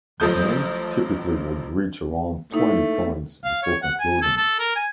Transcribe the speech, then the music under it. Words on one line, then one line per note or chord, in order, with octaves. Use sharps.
Games typically would reach around twenty points before concluding.
A1 F3 F#3 A4 D#6 G6
A3 A#3 D#4 E4
F5
C#5
F#5
G#5
A4
A4
A#4
G#5